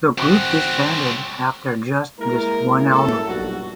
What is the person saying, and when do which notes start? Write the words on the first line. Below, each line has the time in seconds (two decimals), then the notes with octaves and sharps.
The group disbanded after just this one album.
0.18 C4 F#4
2.19 G#3 A#3 E4 A#4
2.90 F#2 A2 A4
3.27 B1 G2 A#2 F#4